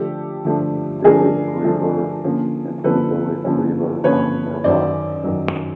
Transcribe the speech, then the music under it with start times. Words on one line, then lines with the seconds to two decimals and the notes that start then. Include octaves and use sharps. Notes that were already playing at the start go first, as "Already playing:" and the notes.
The Rib River and Little Rib River are nearby.
Already playing: D3 F3 A3 D4 G4 A4
0.45 D3 F3 A3 D4
1.04 D3 F3 A3 D4 G#4 A#4
1.64 D3 F3 A3 D4
2.24 D3 F3 A#3 C#4
2.84 D3 F3 A#3 C#4 A4 B4
3.45 D3 F3 A#3 C#4
4.04 D3 F3 A#3 C#4 B4 C#5
4.64 F#2 D#3 F#3 C5 D5
5.24 F#2 D#3 F#3